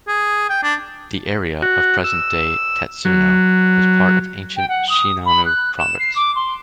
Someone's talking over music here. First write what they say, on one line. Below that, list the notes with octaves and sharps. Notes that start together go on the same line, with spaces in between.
The area of present-day Tatsuno was part of ancient Shinano Province.
G#4
G5
D4
F#4
E6
F#3
G5
F#5
D#6
B5
F#6
E7
C7
D6
C6